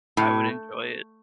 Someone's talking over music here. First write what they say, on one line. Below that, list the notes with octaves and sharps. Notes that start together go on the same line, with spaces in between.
I would enjoy it.
A2